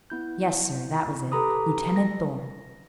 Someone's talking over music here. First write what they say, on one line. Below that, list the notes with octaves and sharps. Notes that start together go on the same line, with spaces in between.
"Yes, sir, that was it--Lieutenant Thorn."
B3 E4 G6
G4 A4 B4 A#5 B5 D#6
A#6